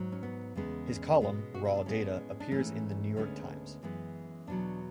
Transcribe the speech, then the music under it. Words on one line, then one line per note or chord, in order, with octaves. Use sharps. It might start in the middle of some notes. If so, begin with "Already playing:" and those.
His column, "Raw Data," appears in "The New York Times".
Already playing: G#2 F#3
C#4
B3
E2 C#3 G#3 B3
C#4
B2 G#3 B3
F#4
E4
D4
A2 G#3 B3 C#4
D4
G#2 E3 A3 C#4
D2 D3 G#3 B3 C#4
F#2 E3 G#3 B3
E2 B2 F#3 D4